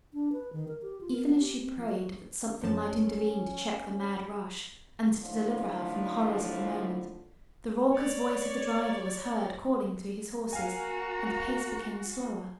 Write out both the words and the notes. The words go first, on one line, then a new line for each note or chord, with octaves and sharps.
Even as she prayed that something might intervene to check the mad rush and to deliver her from the horrors of the moment, the raucous voice of the driver was heard calling to his horses and the pace became slower.
D4
B4
D#3
A#4
G4
F4
A#4
B3
G4
C4
F3
F#4
F#2 F3 C#4 A5
D#2 A2 D3 F3
C#5 D5
A#3 F#4 F5 G#5 A#5